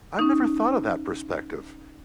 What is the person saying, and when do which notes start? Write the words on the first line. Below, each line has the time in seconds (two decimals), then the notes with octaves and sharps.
I've never thought of that perspective.
0.19 C#4 D#4